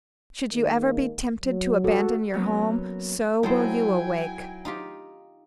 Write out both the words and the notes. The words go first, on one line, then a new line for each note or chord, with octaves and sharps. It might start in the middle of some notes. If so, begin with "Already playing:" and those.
Should you ever be tempted to abandon your home, so will you awake.
D#3 G#3 A#3
F#3
F#4 A4
F#3 A#3 B3 C#4
F#3 D#4 E4 A4 C5 G5 G#5
D#4 F4 G4